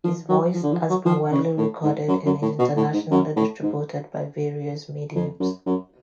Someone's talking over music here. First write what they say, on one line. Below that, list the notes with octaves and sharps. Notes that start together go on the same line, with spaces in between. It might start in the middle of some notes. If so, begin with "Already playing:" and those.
His voice has been widely recorded and is internationally distributed by various mediums.
F3
F#3
F3
D3
F3
F#3
F3
C#3
A2
G#2
F#2
F#2
A2
B2
A2
G#2
F#2
A2
G#2
F2
F#2
F#2